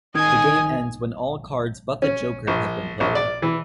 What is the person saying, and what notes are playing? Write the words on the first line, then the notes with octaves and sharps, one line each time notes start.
The game ends when all cards but the Joker have been played.
D#3 D#5 G#5 D#6 G#6
C#4
A#1
A#1
D5
E3